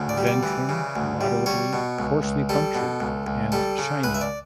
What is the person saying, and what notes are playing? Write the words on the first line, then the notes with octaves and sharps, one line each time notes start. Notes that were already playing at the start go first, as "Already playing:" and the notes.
Ventrum moderately coarsely punctured and shiny.
Already playing: D2 C#3
D5
G3
D5
E3
C#3
D2
G3
G3 C#5
B2
C#2
C#2
G3 A4
B2
C#2
C#2
G3 A4
C#3
C#2 B4
E5
D5